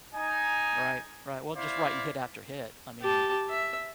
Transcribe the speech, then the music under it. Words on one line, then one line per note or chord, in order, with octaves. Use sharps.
Right, right. Well, just writing hit after hit. I mean,
D#4 G#5
E4 C5 D5 F5
G4 A5
E5